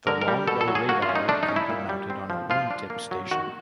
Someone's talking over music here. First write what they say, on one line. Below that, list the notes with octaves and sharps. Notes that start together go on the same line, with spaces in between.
The Longbow radar can be mounted on a wingtip station.
D3 A#4
A#4
G3
B2 A4
A4
F#3
G#4
A#3 F#4
F4
C#4
D#4
A3 D4
D#4
C#4
E4
A#2
G3
C4
F3
F3 F4
D4
A#3
F#3
D#3 F#4